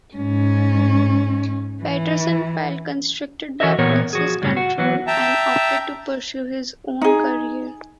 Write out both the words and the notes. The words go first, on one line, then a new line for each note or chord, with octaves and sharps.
Peterson felt constricted by Prince's control and opted to pursue his own career.
G#2 C#4
E3
E3 F#4 A4 A#4 D#5 E5
A#2 E3 B3 A#4 C#5
F3 F#4 G#4
F#2 A2 C#3 F#3 G3
F#4
E3 F#3 B3 F#4
E5 G5 A5 A#5
D#4 G#4